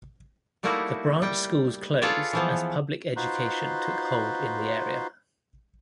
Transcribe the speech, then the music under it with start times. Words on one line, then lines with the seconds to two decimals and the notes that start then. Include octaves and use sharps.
The branch schools closed as public education took hold in the area.
0.63 G3 A3 A#3 D#4 E4 F#4
1.22 G3 G5
2.02 F4 G#4 A4 B4 C#5 D5
2.33 E3 F3 B3
3.16 D#4 F4 F#4 B4 C5 C6